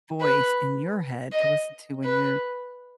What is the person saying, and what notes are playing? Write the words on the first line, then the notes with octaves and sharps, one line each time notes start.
voice in your head to listen to when you're
B4
D#5
B4